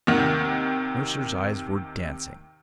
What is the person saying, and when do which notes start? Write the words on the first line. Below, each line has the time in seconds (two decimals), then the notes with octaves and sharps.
Mercer's eyes were dancing.
0.07 D#2 C3 D#3 F#5